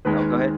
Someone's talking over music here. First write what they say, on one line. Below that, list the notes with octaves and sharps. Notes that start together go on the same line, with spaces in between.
no, go head.
D#2 D#3 G#3 B4